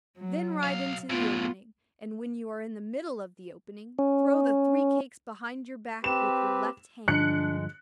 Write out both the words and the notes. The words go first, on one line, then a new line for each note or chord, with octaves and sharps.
Then ride into the opening, and when you are in the middle of the opening, throw the three cakes behind your back with your left hand.'
F#3
B1 F5
F#2 A2 B3 F4
C#4
C4 G4 B4 E7
G2 D3 F3 G#3 D4 F#6 C#7